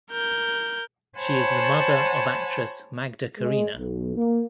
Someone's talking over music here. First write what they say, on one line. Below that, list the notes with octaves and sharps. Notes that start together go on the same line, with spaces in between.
She is the mother of actress Magda Karina.
A#4 G6
C5 C#5 F#5 G#5 A5 B5
G#3
B1
A#3